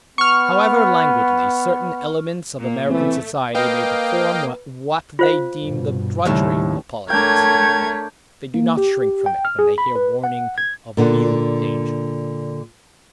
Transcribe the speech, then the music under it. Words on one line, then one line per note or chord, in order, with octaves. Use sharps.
However languidly certain elements of American society may perform what they deem the drudgery of politics, they do not shrink from it when they hear warning of real danger.
B3 C#6 F6
A#2 A#3
E3 A3 C4
A#3 B4 D#5 F5 G5
F4 C5 F5
G2 B2
D#2 A2 C#3 F3 G3 A3
A3 D4 A#4 C#5 G5 G#6
A#3
G4
G5
F6
G#4
B5
B4
F#5
G#6
A#2 D3 F#5